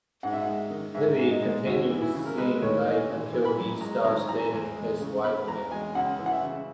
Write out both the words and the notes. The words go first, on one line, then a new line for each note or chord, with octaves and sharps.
Libby continues seeing Mike until he starts dating his wife again.
G#2 F#5
E5
G#3 F#5
D#3
G#2 E5
G#2
D#5
G#3
D#2 F#4
E3
E4
C#3
A#4
G#3 B4
D#2 C#5
E3 D#5
G#1
E3
B5
F#2
G#3 A#5
G#1 A#5
E3 A#5
E2
G#3
C#3
B3 B5
E2 A#5
G#3 G#5
C#2 F#5
E3
F#5
E5
C#3